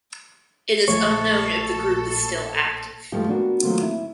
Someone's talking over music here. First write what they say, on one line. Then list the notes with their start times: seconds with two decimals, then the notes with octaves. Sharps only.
It is unknown if the group is still active.
0.88 A#1 F3 A3 A4 C#5 C#6
3.12 G2 E3 F3 G#3 A3 G4
3.28 B3 D4 F#4 A#4
3.63 D#3 F3 F#3 A3 A#3 C4
3.82 E4